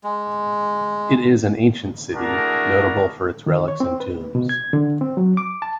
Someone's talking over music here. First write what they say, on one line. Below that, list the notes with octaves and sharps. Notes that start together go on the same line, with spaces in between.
It is an ancient city, notable for its relics and tombs.
G#3
A3 D4 E4 F#4 G#4 A#4
D#3
C#5
C4
B4
B2
G#6
D3
C4
F#3
D6
A5